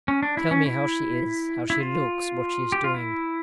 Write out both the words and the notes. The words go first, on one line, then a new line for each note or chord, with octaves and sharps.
Tell me how she is, how she looks, what she is doing.
C#4
D4
E4
C#4
E4
E4
F4
G4
F4
E4